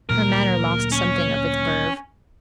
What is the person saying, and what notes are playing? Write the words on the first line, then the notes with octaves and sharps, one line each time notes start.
Her manner lost something of its verve.
D2 A#2 F#3 A#4
C#4